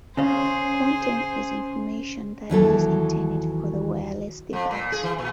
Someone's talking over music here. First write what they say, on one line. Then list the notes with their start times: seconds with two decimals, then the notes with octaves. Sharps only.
Content is information that is intended for the wireless device.
0.17 C#3 C#4 G#4 C5
2.50 D#2 E3 F#3 A4
4.53 F2
4.71 A#2
4.92 G#4
5.03 E3
5.18 A#2